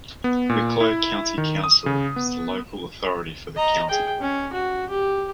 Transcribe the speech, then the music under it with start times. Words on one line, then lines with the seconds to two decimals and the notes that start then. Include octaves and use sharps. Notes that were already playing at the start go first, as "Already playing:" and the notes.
Wicklow County Council is the local authority for the county.
0.24 B3
0.49 A#2
0.81 E4
1.38 D#3
1.64 D#6
1.86 C#3
2.16 B3
3.56 D#5 A#5
3.89 G#4 G5
4.21 C#4
4.53 F#4
4.89 G4